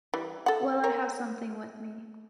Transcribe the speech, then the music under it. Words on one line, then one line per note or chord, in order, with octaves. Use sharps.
Well I have something with me.
E3 G3
A4 F#5
A#4 C#5